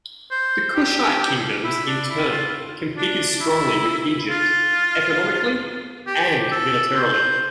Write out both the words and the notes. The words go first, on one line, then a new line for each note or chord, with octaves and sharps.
The Kushite kingdoms in turn competed strongly with Egypt economically and militarily.
C5
G4
E4
D4
E4
F4
D4
E4
F4
G4
A4
C5